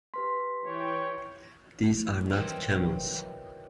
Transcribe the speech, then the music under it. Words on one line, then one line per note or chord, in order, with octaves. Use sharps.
These are not camels!
G4 B4 C6 B6
E3 C#5 G5
C3 D#3 E3 F#3 C4